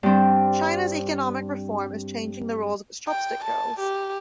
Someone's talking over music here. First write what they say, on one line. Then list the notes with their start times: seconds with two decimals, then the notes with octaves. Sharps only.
China's economic reform is changing the role of its chopstick girls.
0.03 G2 G3 C4 D4
3.08 G5
3.44 A5
3.80 G4